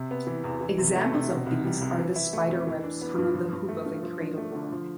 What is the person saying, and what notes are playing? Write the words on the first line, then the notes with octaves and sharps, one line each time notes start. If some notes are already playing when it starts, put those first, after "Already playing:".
Examples of these are the "spiderwebs" hung on the hoop of a cradle board.
Already playing: C3
B3
E3
E2
E3
C3
A3
C3
B2
C2
G3
C2
E3
E4
A3
F2
E3
D4
B3
G2
F3
G2
A3
G2
F3
D4
A3
D3
F3